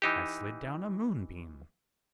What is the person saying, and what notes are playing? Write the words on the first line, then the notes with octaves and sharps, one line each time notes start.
"I slid down a moonbeam."
E3 D#4 G4